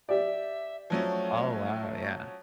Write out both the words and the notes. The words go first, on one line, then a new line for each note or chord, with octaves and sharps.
Oh, wow, yeah.
G4 D5 E5
F3 F#3 A3 C#4